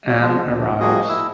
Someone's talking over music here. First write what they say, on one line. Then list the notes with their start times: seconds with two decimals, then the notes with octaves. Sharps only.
Anne arrives.
0.08 C#5
0.21 F3 G#3
0.45 D2
0.80 F3 G3 A#3 F#4 G#4 D#5
1.09 E4 E6